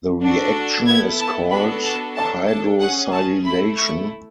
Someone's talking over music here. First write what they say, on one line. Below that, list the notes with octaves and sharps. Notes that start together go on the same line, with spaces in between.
The reaction is called hydrosilylation.
D4 F#4 A4
B3 E4 A4 G#6
A5
B3 D4 F#4 A4 B5
A5
D4 A4 A5
A5
C#4 G#4 F#5
A5
A3 E4 A4 B5
C#6